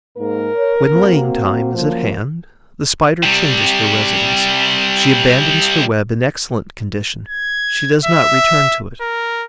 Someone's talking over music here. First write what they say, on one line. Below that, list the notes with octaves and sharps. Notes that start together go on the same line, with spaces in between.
When laying-time is at hand, the Spider changes her residence; she abandons her web in excellent condition; she does not return to it.
G#2 A#3 A#4
C#5
A#3 C4 F#4
F#2 F3 A#3
C3 G3
G#6
E5
A#4